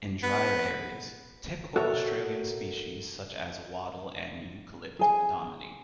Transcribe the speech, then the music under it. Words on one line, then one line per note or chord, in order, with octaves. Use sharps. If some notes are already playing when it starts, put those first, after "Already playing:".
In the drier areas, typical Australian species such as wattle and eucalypt dominate.
B3
F#4 A4 A#4 C#5 E5
G#4 G#5